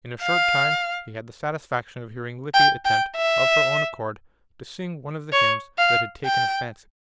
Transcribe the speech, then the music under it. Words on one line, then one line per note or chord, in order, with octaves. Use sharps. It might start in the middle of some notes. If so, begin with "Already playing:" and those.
In a short time he had the satisfaction of hearing Lippy attempt, of her own accord, to sing one of the hymns that had taken her fancy.
F5
G5
G5
E5
C#5
F5
G5